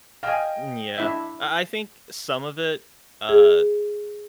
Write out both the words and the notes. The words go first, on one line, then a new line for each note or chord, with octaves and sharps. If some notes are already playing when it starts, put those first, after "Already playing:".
Mm, yeah. I I think some of it, uh,
D#5 F5 G5 G#5
D4 E4 E5
G#4